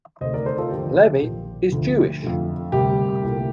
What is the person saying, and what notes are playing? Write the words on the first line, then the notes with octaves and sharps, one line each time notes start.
Levy is Jewish.
D2 C3 D#3 A3 C5 D#5
A#4 D5
A4 C5
F4 A4
D#2 D3 F3 G4
A#1 A#2 F3 A#3
D2 D3 F3 A3
F2 D3 A3
D2 C3 G3 A#3 G4
C2 A#2 A3